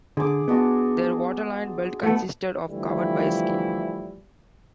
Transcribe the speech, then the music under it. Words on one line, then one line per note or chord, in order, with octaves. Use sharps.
Their waterline belt consisted of covered by a skin.
D3 G#4 D6
G#3 B3 D4 F#4
A3 B3 A4 F#5
D3 E3 F3 G3 A3 E4